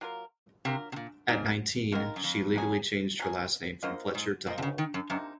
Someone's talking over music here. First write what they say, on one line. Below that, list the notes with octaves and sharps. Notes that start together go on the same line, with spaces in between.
At nineteen, she legally changed her last name from Fletcher to Hall.
F#3 A#3 F4 A#4
C3 F#3 A#3 F4 A#4
C3
A#2
G#2 D#3 A#3 D#4 A#4
F#2 D#3 A#3 D#4 A#4
F#2
F2
F#3 C#4 G#4
F#3 C#4 G#4
F#2 A#3 F4 C5 D#5
G#2
A#2 A#3 F4 C5 D#5
C3
C#3
D#3
F#2
F#2 C3 F3 A#3 D#4